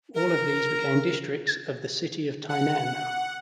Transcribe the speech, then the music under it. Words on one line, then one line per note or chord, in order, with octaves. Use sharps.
All of these became districts of the city of Tainan.
A#4
F#5